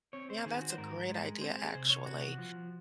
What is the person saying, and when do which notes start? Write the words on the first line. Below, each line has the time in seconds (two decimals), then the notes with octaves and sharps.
Yeah, that's a great idea, actually.
0.13 C4 C#5
0.30 C5
0.46 D#3 G#4
0.62 F#4
0.70 C5
0.78 G#2 A#4
1.10 G#3
1.41 C4 C5
1.59 G#4
1.75 C3 C5
1.90 C#5
2.06 C3 F#4
2.38 F3